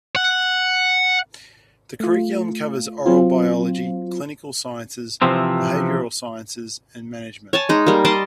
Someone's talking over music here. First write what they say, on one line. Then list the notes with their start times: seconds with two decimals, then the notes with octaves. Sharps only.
The curriculum covers oral biology, clinical sciences, behavioral sciences and management.
0.16 F#5
2.00 A3 F4
3.06 F#3 C4 F4
5.22 C3 E3 F3 C4
7.53 C#5 G#5 A5
7.69 G#3 D#4
7.86 G3 A#3
8.05 D5 D#5 A5 C6